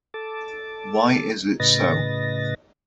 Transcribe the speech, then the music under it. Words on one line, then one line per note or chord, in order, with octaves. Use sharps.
Why is it so?
A4 A5 D6
A2 C#3 B4 D#5 A6 A#6